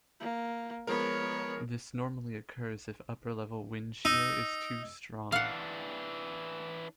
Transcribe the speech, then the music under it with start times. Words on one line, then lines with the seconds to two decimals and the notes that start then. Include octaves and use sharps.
This normally occurs if upper-level wind shear is too strong.
0.20 A#3
0.87 F3 G#3 B3 A#4 C#5
4.05 D#4 E6
5.32 E3 D4 F5 F#5